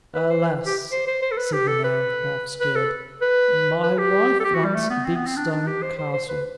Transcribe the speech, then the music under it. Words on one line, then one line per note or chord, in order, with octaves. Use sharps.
"Alas," said the man, half scared, "my wife wants a big stone castle."
B4
C5
B4
G4
C5
C5
C5
A4
B4
G4
A4
B4
B4
A4
B4
B4
G4
A4
G4
F#4
G3
A3
B3
C4
B3
C4
D4
D4
G4
C5
C5
C5
B4